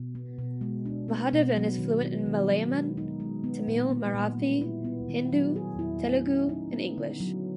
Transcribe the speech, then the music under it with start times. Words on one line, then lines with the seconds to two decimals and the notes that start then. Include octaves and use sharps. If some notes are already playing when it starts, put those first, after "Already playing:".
Mahadevan is fluent in Malayalam, Tamil, Marathi, Hindi, Telugu and English.
Already playing: B2
0.15 B3
0.39 B2
0.61 G#3
0.85 D4
1.08 B3
1.33 B2
1.56 F#3
1.79 D#3
2.02 B3
2.26 D#3
2.49 F#3
2.73 G#3
2.97 D#4
3.20 G#3
3.44 B3
3.68 A#2
3.91 B3
4.14 A#2
4.38 G3
4.61 E4
4.85 B3
5.09 D#3
5.32 F#3
5.56 G#4
5.79 E4
6.03 A3
6.27 C#4
6.49 D#4
6.73 B3
6.97 D3
7.20 F#3